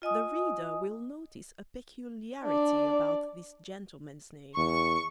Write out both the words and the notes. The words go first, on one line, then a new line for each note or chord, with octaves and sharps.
The reader will notice a peculiarity about this gentleman's name.
F4 D#5 G#5 D#6
D4 D5
E2 C#6